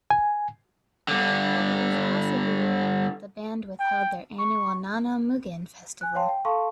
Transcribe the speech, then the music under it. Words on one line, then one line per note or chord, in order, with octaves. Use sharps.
It was also the year that the band withheld their annual Nano-Mugen Festival.
G#5
G2 D3
G5
C#6
G#5 F#6
C#5 F5 G5 A5 C6
G5
A4 F5 A5 C6 C#6